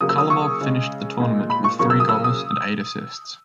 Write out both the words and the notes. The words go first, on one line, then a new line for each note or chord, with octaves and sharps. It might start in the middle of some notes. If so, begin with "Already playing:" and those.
Kharlamov finished the tournament with three goals and eight assists.
C#3 F#3 A#3 D#6
E6
D#6
C#6
C#3 G#3
A#2 G#3
B5
C#6
C#3 F#3 A#3 C#6
E6
D#6
E6
D#6